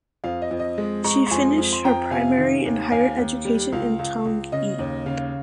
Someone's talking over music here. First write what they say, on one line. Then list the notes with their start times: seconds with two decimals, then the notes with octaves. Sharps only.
She finished her primary and higher education in Taunggyi.
0.24 F2 F5
0.42 D#5
0.51 F2
0.60 D#5
0.78 G#3
1.04 G#3 A#5 C#6
1.27 C#6
1.31 F2 G#5 C6
1.58 F2
1.73 C6
1.85 F2 G5 A#5
2.11 C3 F5 G#5
2.38 D#3
2.65 D#2
2.92 D#2 F5 G#5
3.18 D#2
3.45 G3
3.72 C#2 F5
3.99 C#2
4.25 C#2
4.52 C#3 D#5
4.79 D#2
5.06 C#3 F5